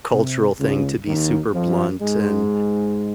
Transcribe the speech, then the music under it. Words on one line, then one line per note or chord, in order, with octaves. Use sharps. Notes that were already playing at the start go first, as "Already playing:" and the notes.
cultural thing to be super blunt and
C3
C#2 C#3
D#2 D#3
F2 F3
G#2 G#3